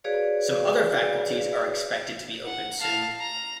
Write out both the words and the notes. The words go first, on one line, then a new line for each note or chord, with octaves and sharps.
Some other faculties are expected to be opened soon.
F#4 G#4 B4 C#5 D5 F5
F#5
F5 A5
A#5